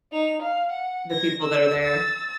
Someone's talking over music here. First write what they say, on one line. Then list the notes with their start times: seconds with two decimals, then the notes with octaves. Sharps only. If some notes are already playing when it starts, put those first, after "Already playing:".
The people that are there.
0.12 D#4 F7
0.42 F5
0.71 F#5
1.11 G#6 A#6
1.42 E6
1.82 E6 A6